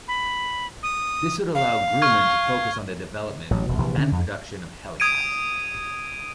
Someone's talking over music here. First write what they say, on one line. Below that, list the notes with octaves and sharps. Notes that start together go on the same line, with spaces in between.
This would allow Grumman to focus on the development and production of Hellcat.
B5
D#6
F5
C#6 F6 G#6
A1 A2 F#3
E1 B2
A#1 C3 E3
D3 C#4
F2
D#6 G#6 D7 D#7